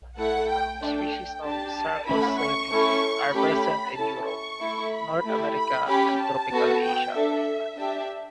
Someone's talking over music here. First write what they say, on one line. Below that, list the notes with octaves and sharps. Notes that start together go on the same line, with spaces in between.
Species of "Sarcoscypha" are present in Europe, North America and tropical Asia.
A3 E4 A4 F#5
G5
A3 D4 A4 G5
D4 G4 A5
A3 C#4 E4 B5
C#6
A3 C#4 E4 A4
A3 C#4 G4 B5
C#4 E4 A4 A5
C#6
A3 E4 A4
B5
A3 E4 G4
B5
C#4 G4 B5
A5
B3 F#4 A4
G5
D4 A4 E5
D4 G4 E5